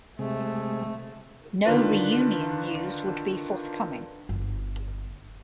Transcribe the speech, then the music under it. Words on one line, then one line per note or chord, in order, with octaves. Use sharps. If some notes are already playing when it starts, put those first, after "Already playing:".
No reunion news would be forthcoming.
C3 G#3 A3
D3 D#3 D4 F4 B4
G1